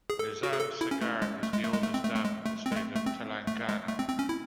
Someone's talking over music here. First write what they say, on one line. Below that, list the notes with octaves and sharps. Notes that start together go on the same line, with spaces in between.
Nizam Sagar is the oldest dam in the state of Telangana.
G#4
A4
F#4
G#4
A4
E4
C#4
A3
G#3
A3
G#3
A3
G#3
A3
C4
A3
A3
G#3
A3
C4
G#3
A3
A3
C4
A3
G#3
A3
C4
C4
C#4
E4